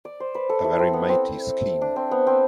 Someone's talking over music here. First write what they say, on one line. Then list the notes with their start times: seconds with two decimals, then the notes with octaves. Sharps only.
A very matey scheme.
0.05 D5
0.20 C5
0.35 B4
0.49 A4
0.64 E4
0.79 C4
0.93 B3
1.09 C4
1.81 D4
1.96 C4
2.11 B3
2.27 C4